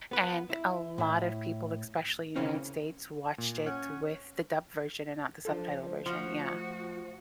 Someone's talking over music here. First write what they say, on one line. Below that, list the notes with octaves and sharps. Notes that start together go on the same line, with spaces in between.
and a lot of people, especially in the United States, watched it with the dub version and not the subtitle version, yeah.
B3 B4
E4
A2 E4
C#3 E3 A#3 C4 C#4 D#4
A#2
C#4 F#5 F#6 G#6
F3 D4 F4 A4 C5
F3 A3 F4 F#4